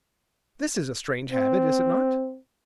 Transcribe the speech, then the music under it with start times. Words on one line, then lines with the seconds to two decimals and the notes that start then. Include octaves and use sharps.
This is a strange habit, is it not?
1.31 C4